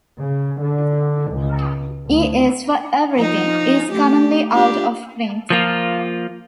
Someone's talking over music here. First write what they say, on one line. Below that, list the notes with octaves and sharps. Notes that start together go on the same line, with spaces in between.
"E is for Everything" is currently out of print.
C#3
D3
C#2
D2
F3 D#4
A3 G4
D4 F4 G4
F3 A#3 F4